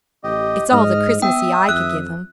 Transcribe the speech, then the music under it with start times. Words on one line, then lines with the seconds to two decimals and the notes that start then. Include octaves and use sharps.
It's all the 'Christmassy' I could give them.
0.24 A1 G4 D#5
0.72 G#2 D#5 F6
1.22 B3 E5 G5 D#6
1.69 F2 F#6